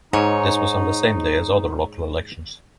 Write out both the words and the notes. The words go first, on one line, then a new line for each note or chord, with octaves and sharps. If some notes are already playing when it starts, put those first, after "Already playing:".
This was on the same day as other local elections.
G#2 D#4 C#5